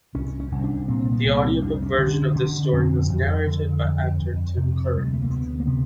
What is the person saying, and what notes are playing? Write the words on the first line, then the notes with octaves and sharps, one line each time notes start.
The audiobook version of this story was narrated by actor Tim Curry.
C2 C#4
C#4
C2
D4
A#2 C4
B3
C2
C4
F2 D4
C4
C#4
D3
D4
D3 C#4
F2 C4
F2
D3
F2
F2
C3
D2 G3
G#3
A3
A#3
D2 B3
A#3
C3 B3